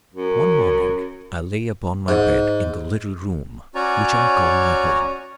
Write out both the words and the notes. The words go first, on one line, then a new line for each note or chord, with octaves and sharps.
One morning I lay upon my bed in the little room which I call my home.
F#2
G#2
C#4 F#4 C#5 D5 G#5 A#5